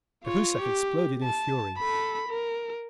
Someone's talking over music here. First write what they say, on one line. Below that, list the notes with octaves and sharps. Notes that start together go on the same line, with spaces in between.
Cahusac exploded in fury.
F4 C#5
G4
A5
A4 B5
A#4